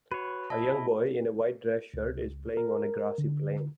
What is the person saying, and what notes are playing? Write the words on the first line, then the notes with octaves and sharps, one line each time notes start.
A young boy in a white dress shirt is playing on a grassy plain.
F#4 B4 C#5
E4 D#5 A5
C#2
A#4
D3